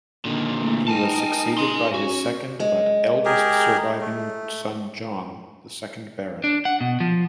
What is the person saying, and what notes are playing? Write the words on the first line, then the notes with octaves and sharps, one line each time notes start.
He was succeeded by his second but eldest surviving son John, the second Baron.
A#2 D3 D#3
E3 A3 A#3
D#4 A#4 G#5 A5
G#5 C6
C#4 F#4
G#3
G4 G#4 A#4
A3
D4
F#5
B2
F3